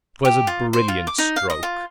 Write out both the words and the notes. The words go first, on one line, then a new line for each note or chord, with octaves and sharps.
'Twas a brilliant stroke.
G4
F4
C5
F4
D6
D#4
F5
D#5
F4